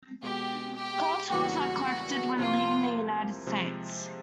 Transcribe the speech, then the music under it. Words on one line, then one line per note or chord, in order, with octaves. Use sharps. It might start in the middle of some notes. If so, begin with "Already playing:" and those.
Car tolls are collected when leaving the United States.
B2 G#3 B3 G4
G4
E2 C#3 E3 G3 A#3 F#4
C2 C3 F3 A#3 F4
C3 F3 G#3